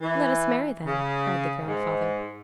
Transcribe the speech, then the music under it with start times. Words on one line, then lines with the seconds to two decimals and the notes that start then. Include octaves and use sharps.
"Let us marry, then," cried the grandfather.
0.01 E3
0.85 C#3
1.66 G#2